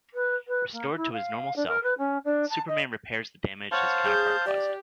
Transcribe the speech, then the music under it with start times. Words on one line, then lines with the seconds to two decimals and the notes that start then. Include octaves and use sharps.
Restored to his normal self, Superman repairs the damage his counterpart caused.
0.14 B4
0.48 B4
0.73 A#3
0.96 E4
1.12 F5
1.56 D4
1.67 A#4
1.83 B4
1.98 C#4
2.25 D4
2.50 A5
2.68 D#5
3.72 C5 C#5 F5 F#5 A5
4.05 G#4 G6
4.46 G4 D5